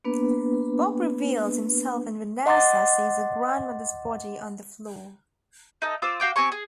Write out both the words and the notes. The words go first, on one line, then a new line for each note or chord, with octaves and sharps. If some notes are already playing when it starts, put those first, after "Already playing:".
Bob reveals himself and Vanessa sees her grandmother's body on the floor.
A#3 B3 D4 B4
D#5 F#5 C6 D6 A6
D#4 A4 D#5
F4 C5 D6 E6
F#4 F5 G5 D6
C4 G4 G#5 C#6
G#4